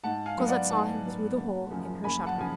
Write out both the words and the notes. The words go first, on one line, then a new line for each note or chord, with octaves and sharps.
Cosette saw him through the hole in her shutter.
G#2 F#5 A5
F5 G#5
F#3 B3
D5 F#5
G#2 F#5 A5
F#3 B3
F#1
F#2 C#3 F3
F#1 G#5 B5
F#5 A5
C#3 F3 G#5